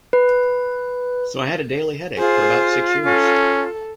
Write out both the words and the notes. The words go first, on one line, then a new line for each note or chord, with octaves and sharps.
So I had a daily headache for about six years.
B4
F4 G#4 C5
C#4 A4